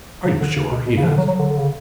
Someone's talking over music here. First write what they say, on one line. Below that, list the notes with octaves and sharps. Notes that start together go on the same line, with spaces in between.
"Are you sure?" he asked.
C#3
D3
C#3
B2
B2
C#3
F3
D3
F#3
F#3
D3
D3
C#3